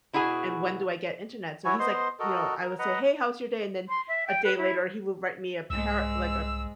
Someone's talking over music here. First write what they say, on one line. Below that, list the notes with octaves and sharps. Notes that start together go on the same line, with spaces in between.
and when do I get Internet? So, he's like you know, I would say, "Hey, how's your day?" And then a day later, he would write me a para like, a
B2 E4 F#4 G#4 G#5
E4 F#4 C#5 G#5
B3 C5 D#5 C6
F#4 A4 A#4 D#5
A#4
B4 D#5 F#5 A#5
C6
E5
G5
B4
E4
C2 G#2 G#3 E6